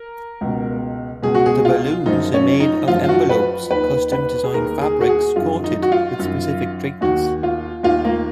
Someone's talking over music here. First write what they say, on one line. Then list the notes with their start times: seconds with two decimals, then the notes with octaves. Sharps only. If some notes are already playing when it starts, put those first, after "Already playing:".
The balloons are made of envelopes custom designed fabrics coated with specific treatments.
Already playing: A#4
0.41 C#2 B2
1.22 C#2 B2 G#4
1.35 F#4
1.46 G#4
1.65 F4
2.06 F#2 F3 D#4
2.34 C#4
2.60 D#4
2.88 F#2 F3 F4
3.04 F4
3.09 F#4
3.29 B4
3.70 D#2 D#3 B4
4.12 B4
4.44 G#4
4.53 D#2 D#3 A#4
4.81 G#4
5.01 F#4
5.09 G#4
5.36 F#2 D#3 F4
5.64 D#4
5.82 F#4
5.92 F4
6.19 F#2 D#3
7.01 D#2 D#3 F#4
7.43 F4
7.83 D#2 D#3 F4
8.05 A#3